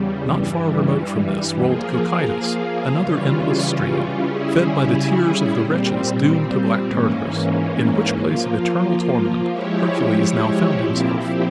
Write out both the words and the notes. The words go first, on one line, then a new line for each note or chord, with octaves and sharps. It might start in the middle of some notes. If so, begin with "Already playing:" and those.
Not far remote from this rolled Cocytus, another endless stream, fed by the tears of the wretches doomed to Black Tartarus, in which place of eternal torment Hercules now found himself.
Already playing: E2 C#3 G3
G2 E3 G3
F3 A#3 F4 G#4
C#3 E3 G3 C#4 F4
C#3 G3 C#4 E4 G#4
A#2 G3 C4
G#2 E3 A#3 C#4
F3 A#3 F4
F3 G#3 E4 G4 C#5
A#2 F3 C4 E4 G4